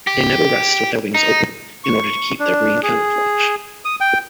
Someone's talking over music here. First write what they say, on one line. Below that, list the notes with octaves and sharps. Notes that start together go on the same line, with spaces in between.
They never rest with their wings open, in order to keep their green camouflage.
G4
D#4
C#6
D4
G#4
D#6
G5